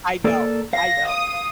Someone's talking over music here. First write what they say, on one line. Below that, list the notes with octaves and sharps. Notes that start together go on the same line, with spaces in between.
I know, I know.
A#3 A4 D5
F5 A#6
D#6